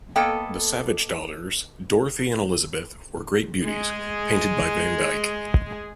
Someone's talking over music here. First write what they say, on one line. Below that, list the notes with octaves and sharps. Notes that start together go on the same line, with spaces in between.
The Savage daughters, Dorothy and Elizabeth, were great beauties, painted by Van Dyck.
A#3 B3 A4 D#5 G5
G#3 G#4